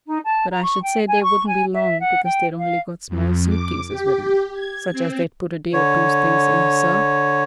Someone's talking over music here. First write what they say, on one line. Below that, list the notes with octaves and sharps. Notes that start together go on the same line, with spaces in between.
"But I should say they wouldn't be long because they'd only got small suit-cases with them--such as they'd put a day or two's things in, sir."
D#4
A5
A#5
C#6
G5
G#5
C#6
G#5
E5
F#5
G5
F5
F2
D6
G4
G#6
C4
D3 C#5